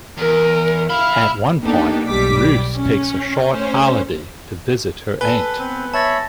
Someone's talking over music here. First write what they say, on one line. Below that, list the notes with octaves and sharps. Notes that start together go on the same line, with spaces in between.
At one point, Ruth takes a short holiday to visit her Aunt.
E2 A#4
E5 F5 B5
A#3 B3 D4 D#4 G4 A4
B1 G3 D6 B6
C#4
A3 C#4 C5 C#5
A4 B4 G#5 G7
B3 C4
C#5 E5 A5 B5 A6 A#6